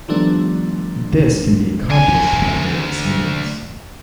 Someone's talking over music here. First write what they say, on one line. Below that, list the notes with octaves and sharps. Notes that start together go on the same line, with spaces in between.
This can be accomplished by various means.
D#3 F3 G3 A3 B3 D4
D2 G#5